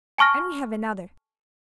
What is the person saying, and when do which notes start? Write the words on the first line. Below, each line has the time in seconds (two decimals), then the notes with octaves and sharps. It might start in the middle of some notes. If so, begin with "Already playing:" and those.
And we have another.
0.18 G#5 A5 C#6 F6 A#6